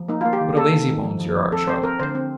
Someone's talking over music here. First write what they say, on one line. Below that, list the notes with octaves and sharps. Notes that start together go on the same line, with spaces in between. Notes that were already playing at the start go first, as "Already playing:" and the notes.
What a lazybones yer are, Charlotte.'
Already playing: F3
A#3 D#4
A#3 F4
G4
D#3
A#3 A4
D#3
D#3
F3
F3
F3
C4 A4
C4 C5
C4 A#4
D3 C5
C4